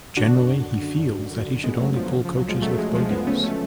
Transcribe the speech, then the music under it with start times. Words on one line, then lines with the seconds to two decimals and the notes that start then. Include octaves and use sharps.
Generally, he feels that he should only pull coaches with bogies.
0.16 D3 D4 F#4
0.32 F#2
0.50 F#2
0.66 D3
0.82 D3
0.98 F#2
1.15 F#2
1.31 D3
1.47 D3
1.64 F#2 G#3 B3
1.80 F#2 F#3 A3
1.96 D3 F3
2.06 F#3
2.13 C#3 F3
2.25 F3
2.29 D2
2.37 F#3
2.45 D2 F3 G#3
2.62 C#3 F#3 A3
2.78 C#3 F3 G#3
2.94 D2 F3 G#3
3.10 D2 G#3 B3
3.27 C#3 A3 C#4
3.43 C#3 A3 C#4